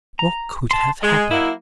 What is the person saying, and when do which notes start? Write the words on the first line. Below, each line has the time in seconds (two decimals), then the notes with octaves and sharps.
What could have happened?
0.19 A#5
0.71 A5 C6
1.03 G#3 D#5
1.31 F#3 A#3 E4